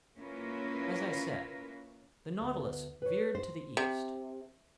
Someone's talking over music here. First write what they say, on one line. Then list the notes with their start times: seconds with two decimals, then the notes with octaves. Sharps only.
As I said, the Nautilus veered to the east.
0.16 A#3 C#4 E4 F4 A#4 B4
2.41 D2 B3
3.02 B4 C#5
3.35 C5
3.77 C3